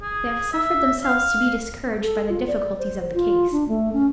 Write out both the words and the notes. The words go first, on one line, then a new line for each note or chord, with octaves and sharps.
They have suffered themselves to be discouraged by the difficulties of the case.
G#4
E5
F5
A4
F4
D5
C5
F4
D4
A3
C#4